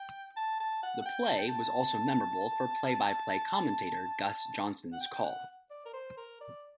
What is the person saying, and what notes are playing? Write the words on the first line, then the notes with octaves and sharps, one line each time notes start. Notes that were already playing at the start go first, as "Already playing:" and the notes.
The play was also memorable for play-by-play commentator Gus Johnson's call.
Already playing: G5
A5
A5
F#5
F#5
G5
A5
G5
A5
F#5
G5
G5
F#5
D5
A#4
C5
A#4
D5